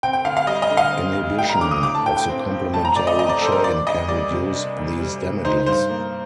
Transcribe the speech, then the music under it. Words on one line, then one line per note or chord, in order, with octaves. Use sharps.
Inhibition of the complementary chain can reduce these damages.
C4 G5
G5
D2 F5
F5
G3 D#5
D#5
D3
F5
C4
D2
G3 G5
A#5
D3 D6
D#6
A2 D6
A5
A2 G5
G5
C4
F3
A2 A5
A#5
A2 D5
D#5
C4 D#5
D5
F3 A4
C5
A#4
D4 D5
D2 D#5
G3 D5
C3
D4
D2
G3
C3
D#4 C5
G2 C5
A#3